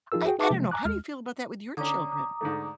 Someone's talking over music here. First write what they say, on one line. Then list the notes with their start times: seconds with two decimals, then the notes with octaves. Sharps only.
I I don't know. How do you feel about that with your children?
0.12 F3 D#4 F4 G#4 A#4 E6
0.26 F#4 G#4 G5
0.38 D#4 G#4 B4 E5 A5 D6
0.51 C3 F3 G#3 A#3
0.71 G#5 A#5 D6 F#6
0.85 D#2 G#3 F6
1.77 D3 C#4 A#5 D6 D#6
2.41 G#2 D3 A3